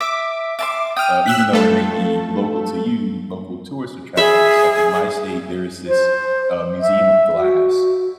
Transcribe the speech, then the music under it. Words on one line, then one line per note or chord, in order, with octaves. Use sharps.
Uh, even though it may be local to you, local tourist attractions, like in my state, there is this, uh, museum of Glass
E5 D6
E5 A5 C6 D6
G5 D#6 F6
E6 F#6 B6
A3 F4 A4
G#4 E5 B5
C5
E5
F#4